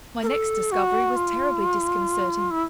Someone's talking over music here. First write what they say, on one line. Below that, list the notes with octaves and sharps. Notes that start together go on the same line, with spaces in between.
My next discovery was terribly disconcerting.
A#4
A4
F#4
F4
E4